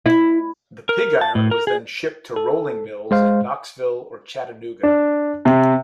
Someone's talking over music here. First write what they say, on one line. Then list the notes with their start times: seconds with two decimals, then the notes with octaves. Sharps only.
The pig iron was then shipped to rolling mills in Knoxville or Chattanooga.
0.06 E4
0.89 A#4
1.21 A5
1.35 A2
1.51 A#4
1.67 G#4
2.36 A4
3.11 G#3 C5 F5
4.83 D4
5.45 C3